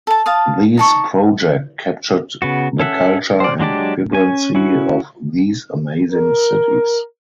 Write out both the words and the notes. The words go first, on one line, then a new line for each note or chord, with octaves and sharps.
These projects captured the culture and vibrancy of these amazing cities.
A4 A5
F5 A5 D#6
D#4 A5 C#6
C#3 B3 F#4
C#4 A4 E5 F#5
C5 D5
F#3 G#3 D4 G4 A5
C#4 G#5
C#4 E4 F#4
A#4